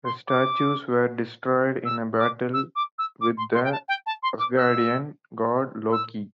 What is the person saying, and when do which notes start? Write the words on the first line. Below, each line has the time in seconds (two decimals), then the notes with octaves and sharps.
The statues were destroyed in a battle with the Asgardian god, Loki.
0.04 C6
0.27 D6
1.85 E6
2.18 D6
2.53 E6
2.75 D6
2.98 E6
3.21 D6
3.37 C6
3.54 C6
3.63 G5
3.72 A5
3.88 G5
4.06 A5
4.22 C6
4.39 D6
4.56 E6
5.92 E6